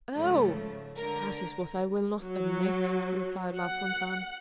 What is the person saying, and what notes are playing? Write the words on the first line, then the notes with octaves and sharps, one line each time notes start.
"Oh! that is what I will not admit," replied La Fontaine.
G#2 C#3 F3 A3
D3 A#4
F#3
F#5